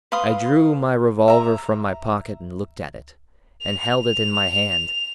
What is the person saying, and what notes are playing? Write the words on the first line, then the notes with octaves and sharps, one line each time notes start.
I drew my revolver from my pocket and looked at it, and held it in my hand.
B4 F5 C6 D#6
E5 A#5
F7
F7